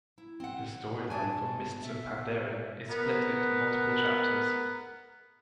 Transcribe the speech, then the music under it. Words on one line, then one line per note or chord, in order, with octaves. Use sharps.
The storyline for "Mists of Pandaria" is split into multiple chapters.
E4
C4 F#5
G2 D4 G#5 A5
B2
E5
B3 A#4